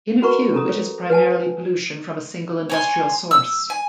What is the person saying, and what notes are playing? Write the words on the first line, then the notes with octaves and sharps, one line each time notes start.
In a few it is primarily pollution from a single industrial source.
F#4 A#4 B4 F#5 A#5 C#6
C#4 A4 A#5 D#6
C#5
B4 F#5 G#5 A5
C#5 G#5 C6
E6
G#5